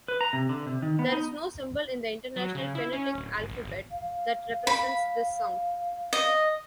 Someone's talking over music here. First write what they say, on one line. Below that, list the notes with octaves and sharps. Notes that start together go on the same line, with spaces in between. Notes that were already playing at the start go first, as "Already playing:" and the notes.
There is no symbol in the International Phonetic Alphabet that represents this sound.
B4
A#5
C3
D3
C3
D#3
B3
D#4
F#3
C#3
E4
C#4
D1
G1
A#1
G1
F5
B5
D#5